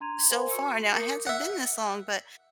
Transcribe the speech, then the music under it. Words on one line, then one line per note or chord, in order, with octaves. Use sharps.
so far. Now it hasn't been this long, but
D4 A#5 C6 G#6 D#7 F7
A#4 C5 F5 G#5 C6
F#4 C#6 E6 C#7
A#4 D6 D#6 G6 C#7
E5 F#5